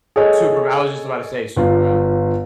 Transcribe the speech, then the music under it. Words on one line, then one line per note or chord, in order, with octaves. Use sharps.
Superma I was just about to say Superman.
G#4 A4 C#5 D#5
G1 F4